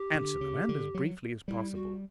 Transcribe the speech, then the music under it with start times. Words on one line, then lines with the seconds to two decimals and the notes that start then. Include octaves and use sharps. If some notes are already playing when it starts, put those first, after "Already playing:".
Answer them, and as briefly as possible.
Already playing: G4
0.15 D3
0.41 C#3
0.69 D3
0.95 F#3
1.48 G3 E4
1.74 F#4